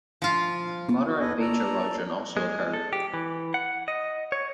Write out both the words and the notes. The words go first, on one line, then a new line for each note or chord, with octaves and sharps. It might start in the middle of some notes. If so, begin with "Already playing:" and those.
Moderate beach erosion also occurred.
F3 F4
F#4
E2 A4 B4 D#5 G#5
A4 D5 A5 A#5
G#3
A4
G4
E3
F#5
D#5
C#5